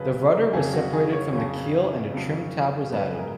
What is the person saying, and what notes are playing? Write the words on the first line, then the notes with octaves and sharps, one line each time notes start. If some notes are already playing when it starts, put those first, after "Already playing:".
The rudder was separated from the keel and a trim tab was added.
Already playing: F2 C#3 F#3 B4
A#4
F2 C#3 F#3 G#4
F#4
G#4
C#5
F2 C#3 F#3 C#5
F2 C#3 F#3
C#2 B2 F#3 B4
G#4
A#4